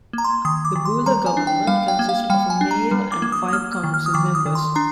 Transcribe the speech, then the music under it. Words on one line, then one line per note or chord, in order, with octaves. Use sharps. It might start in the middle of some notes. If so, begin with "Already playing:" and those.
The Buhler government consists of a mayor and five council members.
A#3 A#5
C6
D#3 D#6
D6
D#3
C6
G3 A#5
G#5
D4
G5
G3 F5
G5
A#3
F5
G3 G5
G#5
D4
A#5
G3
D6
A#3
D#6
D#6
A#3 F6
F6
D#3
F6
D#6
D#3 D6
D#6
D#3
C6
D4 A#5